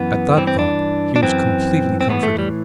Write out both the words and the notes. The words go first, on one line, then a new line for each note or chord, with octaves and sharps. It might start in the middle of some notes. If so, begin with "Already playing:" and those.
At that thought he was completely comforted.
Already playing: F#2 E3 B3
G2 E3 C4
C4
D4
D4
F#2 E3 C4
C4
A2 E3 B3
A3
G3